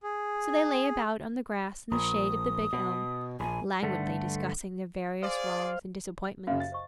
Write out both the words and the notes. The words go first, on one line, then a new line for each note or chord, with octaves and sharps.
So they lay about on the grass in the shade of the big elm, languidly discussing their various wrongs and disappointments.
G#4
A#1 D#6
B2
A#1 G#5
G2 D3 A3
G#4 C5 D5 F5
F#2 C#3 F5
A6
C5 D#5 C#6